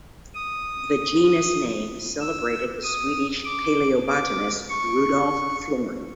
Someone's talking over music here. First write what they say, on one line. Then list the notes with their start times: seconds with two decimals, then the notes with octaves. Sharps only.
The genus name celebrated the Swedish paleobotanist Rudolf Florin.
0.34 D#6
2.21 E6
2.83 D#6
3.45 D6
4.07 D6
4.69 C#6